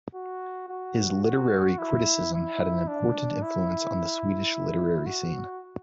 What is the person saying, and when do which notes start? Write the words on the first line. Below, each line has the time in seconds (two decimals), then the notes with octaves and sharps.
His literary criticism had an important influence on the Swedish literary scene.
0.14 F#4
0.69 F#4
1.25 F#4
1.78 E4
2.34 E4
2.87 D4
3.42 E4
5.06 F#4